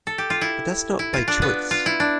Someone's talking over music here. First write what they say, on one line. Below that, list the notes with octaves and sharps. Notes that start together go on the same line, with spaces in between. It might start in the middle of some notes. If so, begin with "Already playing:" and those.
But that’s not by choice.
A4
G4
F4
E4
E4
F4
D4
B3
F4
E4
D4